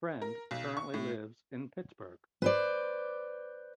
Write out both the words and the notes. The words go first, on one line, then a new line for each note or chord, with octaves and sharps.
Friend currently lives in Pittsburgh.
A#4
B1
C#6
A2
B4 C5 D5